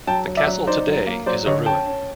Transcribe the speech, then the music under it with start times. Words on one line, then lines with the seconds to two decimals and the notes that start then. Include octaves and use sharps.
The castle today is a ruin.
0.07 F#3 G5 A5
0.28 F#3
0.37 D5 E5
0.47 F#3
0.67 D#4 C5 D5
0.87 F#3
1.07 A#3
1.26 F#3 C5 D5
1.46 D3 C#5 D#5
1.66 C#4 G5 A5
1.86 C#4